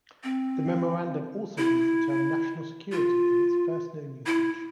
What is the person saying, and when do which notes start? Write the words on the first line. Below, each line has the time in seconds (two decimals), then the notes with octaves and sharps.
The memorandum also used the term "national security" in its first known usage.
0.24 C4
1.58 E4
2.92 F4
4.26 E4